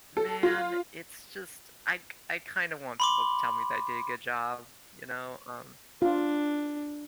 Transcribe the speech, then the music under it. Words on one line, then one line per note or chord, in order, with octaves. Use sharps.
man, it's just I k I kinda want people to tell me that I did a good job, you know, um
A4
F4
B5 C6 D6
D4 F4